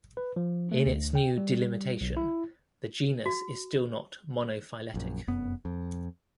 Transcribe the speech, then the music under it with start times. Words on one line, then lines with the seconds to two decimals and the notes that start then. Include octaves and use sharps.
In its new delimitation the genus is still not monophyletic.
0.17 B4
0.36 F3
0.72 A3
0.86 D2
1.15 G5
1.38 G3
2.01 B1
2.17 E4
3.26 F#4
4.94 A#1 F#2
5.28 F1 F#2 B3
5.65 F2